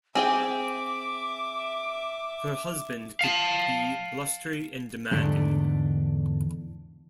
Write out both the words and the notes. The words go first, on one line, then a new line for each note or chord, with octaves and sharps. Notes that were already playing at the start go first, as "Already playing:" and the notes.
Her husband could be blustery and demanding.
C4 G#4 E5 G5 G#5 D6
F5 A5
E2 G#2 D3 A3 D4